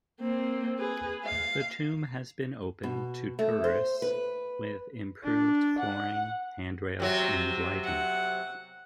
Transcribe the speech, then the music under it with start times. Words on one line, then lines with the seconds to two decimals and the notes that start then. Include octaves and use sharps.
The tomb has been opened to tourists with improved flooring, handrails and lighting.
0.20 A#3 C4
0.79 G#4 B4
1.24 F5
2.83 B2
3.39 A3
3.64 C5
4.02 B4
5.23 D4
5.79 F#5
7.00 C3 F#3
7.84 F#5